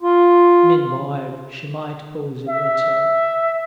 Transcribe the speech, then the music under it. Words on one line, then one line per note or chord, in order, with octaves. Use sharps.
Meanwhile she might pause a little.
F4
E5